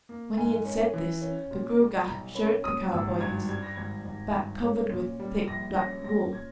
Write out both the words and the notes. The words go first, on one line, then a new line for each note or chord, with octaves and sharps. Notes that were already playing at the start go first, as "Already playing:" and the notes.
When he had said this, the Gruagach showed the cowboy his back covered with thick black wool.
A#3
G#2 G#5
C#4
E3
C#4
A#2
G3
B5
B1 A#5
C#4 B5
A#2 D#6
G#1 E6
G2 G#6
G3 G#6
A#6
G#1 G#6
G#1
G2
C#4
A#2
G3
A#1 A#6
C#4 A#6
A#2 A#6
G#6